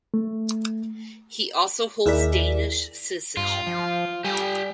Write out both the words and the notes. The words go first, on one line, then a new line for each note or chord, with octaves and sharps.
He also holds Danish citizenship.
A3
D#2 E4 G#4 A#4 D5 B6
G2 F4
F3
G3 G4 G#5